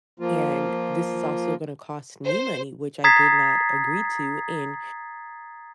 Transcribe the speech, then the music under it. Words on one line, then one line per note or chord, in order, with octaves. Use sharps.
and this is also gonna cost me money, which I did not agree to, and
F3 A#3 F4
C5
A#5 D#6 G#6 A6 B6 C7